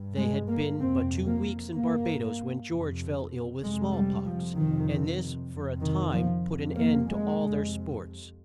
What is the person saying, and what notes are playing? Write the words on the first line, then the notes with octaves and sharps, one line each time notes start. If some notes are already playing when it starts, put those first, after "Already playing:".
They had been but two weeks in Bar-ba-does when George fell ill with small-pox, and this for a time put an end to all their sports.
Already playing: G2
G#3
A#3
F2 C3 C4
A#3
G2 A#3
F2 C3
F2 C3 G#3
G3
F3
F2 C3 D#3
F2 C3
D#3
F3
F2 C3
A#3
G#3
F2 C3